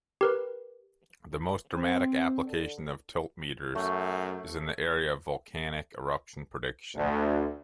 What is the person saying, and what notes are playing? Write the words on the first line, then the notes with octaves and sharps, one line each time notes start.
The most dramatic application of tiltmeters is in the area of volcanic eruption prediction.
G4 A#4 B4
C4
D3
F#2 A3
D2